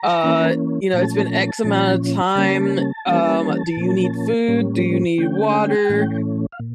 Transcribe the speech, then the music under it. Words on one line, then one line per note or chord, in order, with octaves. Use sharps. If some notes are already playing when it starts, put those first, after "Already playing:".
uh, "You know, it's been X amount of time, um, do you need food? Do you need water,
Already playing: A#5
E3 A#3 C#4
A#2 F3 A3 C#4 A5
A#2 F3 C#4
C#3 G3 A#3 C#4 A5
E3 G3 A#3 C#4
A#2 F3 A#3 C#4
A2 G3 A#3 C#4
D3 A3 C#4 G5
A2 E3 A3 C#4
F5
A#2